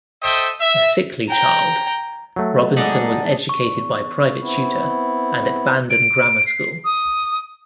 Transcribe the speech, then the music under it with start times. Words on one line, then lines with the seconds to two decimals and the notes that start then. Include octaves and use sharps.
A sickly child, Robinson was educated by private tutor and at Bandon Grammar School.
0.23 A4 C5 D#5 E5 G5
0.61 E5
1.30 G5 A#5
2.36 F#3 A3
2.76 G#2 B3 D4 D#4 D#5 F#5 G#5 E6
3.49 E2 C#6
4.40 B3 C4 E4
5.90 D7
6.47 C7
6.84 D#6